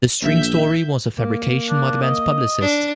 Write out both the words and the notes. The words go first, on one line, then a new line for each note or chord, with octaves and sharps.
The string story was a fabrication by the band's publicist.
A#1 E5 G6
A#3
D4
D#5
D4